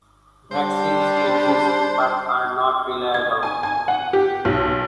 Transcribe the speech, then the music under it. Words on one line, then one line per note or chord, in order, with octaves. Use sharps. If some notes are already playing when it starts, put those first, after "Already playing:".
Vaccines exist but are not reliable.
G3 D4 C5
G#6
G#5
G#5
F#5
G4
B1